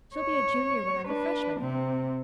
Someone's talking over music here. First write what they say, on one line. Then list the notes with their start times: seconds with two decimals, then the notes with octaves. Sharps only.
She'll be a junior when I'm a freshman.
0.16 C#5
1.07 D4 B4
1.61 C3 C4